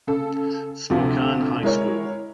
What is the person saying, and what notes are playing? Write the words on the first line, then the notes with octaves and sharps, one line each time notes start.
Spokane High School.
C#3 A4
D2 C3 F3
G#3 E4 A#4 C#5